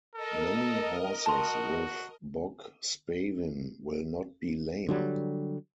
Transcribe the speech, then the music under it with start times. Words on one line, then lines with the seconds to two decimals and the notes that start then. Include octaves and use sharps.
Many horses with bog spavin will not be lame.
0.15 A4 A#4 D#5
1.26 F#4 A5 C6
4.89 D3 F#3 G3